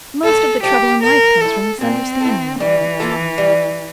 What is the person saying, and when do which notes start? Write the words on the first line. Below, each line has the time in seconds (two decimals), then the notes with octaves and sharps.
"Most of the trouble in life comes from misunderstanding, I think," said Anne.
0.24 A2 A4
0.63 F3 A3 G4
1.03 A#2 A#4
1.41 A3 E4 A4
1.81 A#2 C4
2.21 A3 E4
2.60 E3 G3
3.00 A#3 F4 A4
3.38 G3